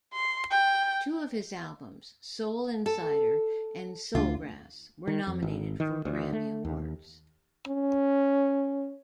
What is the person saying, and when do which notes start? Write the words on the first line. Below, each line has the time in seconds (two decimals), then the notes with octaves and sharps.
Two of his albums, "Soul Insider" and "Soulgrass", were nominated for Grammy awards.
0.14 C6
0.51 G5
2.86 A4
4.15 D2 D3 F4
5.07 D#3
5.27 F2
5.42 G#1
5.80 D#3
6.05 D2
6.33 A3
6.65 D#2
7.68 C#4